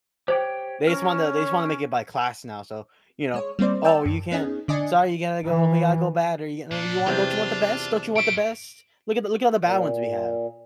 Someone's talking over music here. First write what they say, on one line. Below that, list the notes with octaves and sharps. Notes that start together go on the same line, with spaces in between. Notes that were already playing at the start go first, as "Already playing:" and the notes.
They just wanna they just wanna make it by class now, so, you know, "Oh, you can't Sorry, you gonna go we gotta go bad or you you want don't you want the best? Don't you want the best? Look at the look at all the bad ones we have."
G4 C5 C#5 G5
C#4 A#4 C#5
G#3 C#5
G3 A#3 C4 C5 D5
D5 G5 A5 E6
F#2
B3 C#4 D#4 G#4
D3 D4 D5 D#5 G#5 C#7
E3
A#2 D4
E2 C3 F4 G5
C#5 E5 D7
A#2